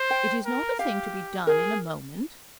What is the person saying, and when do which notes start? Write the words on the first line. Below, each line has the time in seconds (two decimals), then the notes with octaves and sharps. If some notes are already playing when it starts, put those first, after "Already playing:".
'It is not a thing to be done in a moment.'
Already playing: C5
0.10 G5
0.46 A#4
0.79 G4 F5
1.47 G#4 A#4